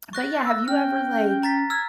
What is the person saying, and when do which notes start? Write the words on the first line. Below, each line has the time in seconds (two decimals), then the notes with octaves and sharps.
but, yeah, have you ever, like,
0.13 C#6 F#6 A6 A#6
0.45 E6
0.68 C#4 G5 F6
1.43 A#5 A6 B6
1.70 E6 F6 G#6